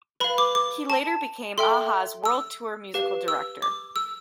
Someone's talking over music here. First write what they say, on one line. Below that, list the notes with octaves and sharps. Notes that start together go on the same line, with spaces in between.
He later became a-ha's world tour musical director.
B4 F5 B5
D6
D6
A5
A4 E5 G5 C6
E6
G4 B4 F5
E6
D6
E6